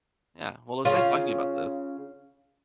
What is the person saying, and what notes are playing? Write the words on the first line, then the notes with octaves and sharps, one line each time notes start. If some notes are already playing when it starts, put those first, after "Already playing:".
Yeah, well, it's nice talking about this.
C#3 F4